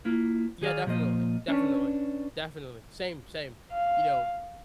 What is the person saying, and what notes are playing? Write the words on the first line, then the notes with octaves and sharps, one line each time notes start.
Yeah, definitely. Definitely. Definitely. Same same. You know,
A#3 E4 F4
D#3 G#4 A4 D5 F5
A#2 F3 A#3 D#5
C#4 D4 B4 C#5
F5